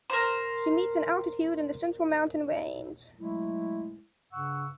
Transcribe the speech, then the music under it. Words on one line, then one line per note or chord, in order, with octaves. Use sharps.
She meets in altitude in the Central mountain Range.
A#4 C5
F#3 G#3 A3 E4
G2 C#3 F#5 C#6 E6